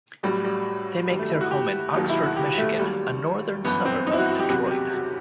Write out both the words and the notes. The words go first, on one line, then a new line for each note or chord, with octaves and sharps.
They make their home in Oxford, Michigan, a northern suburb of Detroit.
A1 A2 F#3 G3
G3
G1 G2 D#3 F#3 G3
A3
E4
F#4
G4
E1 D#2 D#3 F#3
E4
F#4
G4
A3
E1 D#2 D#3 F#3 G3
G1 F#2 E3 B3
C4
D#4
E4
F#4
F#4
G4
F#1 E2 C3 F#3 F#4
G4
F#4